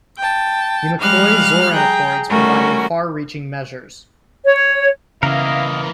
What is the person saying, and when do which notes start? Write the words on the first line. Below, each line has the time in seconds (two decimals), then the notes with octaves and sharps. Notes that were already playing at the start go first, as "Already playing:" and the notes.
The McCloy-Zorin Accords provided far-reaching measures.
0.18 G5 A5
1.01 F3 G3 G#3 F5 F6 F#6
1.73 G#4 G5 A#5
2.30 D#3 G3 A3 C#4 F#4 A#4
4.45 C#5
5.23 C#3 E3 A#3 B3 E4 A#4 D#5 F5